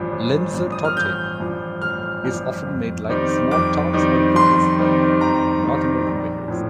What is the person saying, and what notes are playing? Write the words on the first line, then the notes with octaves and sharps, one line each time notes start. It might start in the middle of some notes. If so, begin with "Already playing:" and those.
Linzer Torte is often made like small tarts or cookies in North American bakeries.
Already playing: A1 G2 F3
A1
G2 F3
D#6
F6
A1 G6
G2 F3
A1 F6
G2 F3
F2
D#3 G3 C4 D#4
F2 D6
D#3 G3 C4 D#4
F2 C6
D#3 G3 C4 D#4
F2 A#5
D#3 G3 C4 D#4
A#1
A2 F3